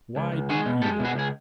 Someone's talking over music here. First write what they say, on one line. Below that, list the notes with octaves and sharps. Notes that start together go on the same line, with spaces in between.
"Why do evil?"
C#2
C#2
G#3 F#4 G#4
B2
G#3 G4 A4
B2
F#4 G#4
C#2 G#4